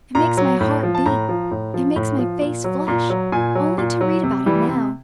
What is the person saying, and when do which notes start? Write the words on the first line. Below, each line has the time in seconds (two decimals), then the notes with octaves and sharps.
It makes my heart beat, it makes my face flush, only to read about it now!
0.15 A#2 A#5
0.37 F#3
0.60 A2
0.83 F3
0.95 A5
1.06 A2 A#5
1.29 F3
1.51 A2
1.74 F3
1.96 A2
2.19 F3
2.41 A#2
2.64 F#3
2.87 A#2 A#5
3.10 F#3
3.32 A#2 G#5
3.55 F#3
3.78 A#2
4.01 F#3
4.23 C3
4.46 E3 G3
4.69 C3